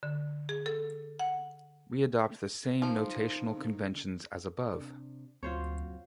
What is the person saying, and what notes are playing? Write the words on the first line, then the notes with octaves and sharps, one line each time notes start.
We adopt the same notational conventions as above.
D3
G#4
A4
F#5
D#3 F3 C5
C3 D4
F#1 D2 F#3 C4 F4 C5 C#5